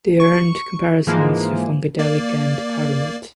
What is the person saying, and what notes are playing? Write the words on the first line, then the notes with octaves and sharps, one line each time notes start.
They earned comparisons to Funkadelic and Parliament.
C#6
G#2 E3 F3 G#3 A#3
A#3 D5